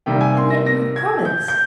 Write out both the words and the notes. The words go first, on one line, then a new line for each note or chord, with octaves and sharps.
"And yet you have promised?"
C3 D#3 G3 A#3 G5
G#5
C6
A#6
A#6
G#6
G6
G6